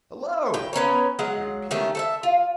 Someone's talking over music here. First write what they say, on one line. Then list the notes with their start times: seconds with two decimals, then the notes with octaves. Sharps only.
"Hello!" greeted he.
0.54 A2 G5
0.73 B3 C#4 A#4 C#5
1.19 F#3 G#3 F5 F#5
1.71 D#3 A3 C#4 G4
1.95 A4 C5 E5
2.23 F4